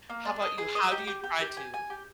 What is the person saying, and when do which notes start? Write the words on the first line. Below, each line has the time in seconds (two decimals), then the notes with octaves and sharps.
How 'bout you? How do you try to,
0.10 A#3
0.25 D4
0.42 D#5
0.58 G#4
0.75 D#5
0.92 G4
1.07 G4
1.24 G4
1.41 G4
1.57 G#5
1.74 G#5
1.90 G4